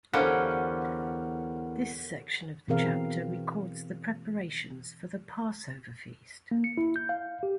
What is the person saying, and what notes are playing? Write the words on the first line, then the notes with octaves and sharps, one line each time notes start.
This section of the chapter records the preparations for the Passover feast.
E2 D3 G3 C#4 A#4 C5 F5 F#5
B2 E3 C4 G#4 A#4 F5
A#3
C#7
E4
G6
F5
G4